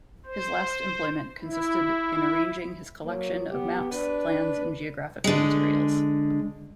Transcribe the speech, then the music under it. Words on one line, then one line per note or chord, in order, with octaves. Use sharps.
His last employment consisted in arranging his collection of maps, plans and geographical materials.
C5
E4
F#3 A#3
B3 G4
D4 B4
D3 G#3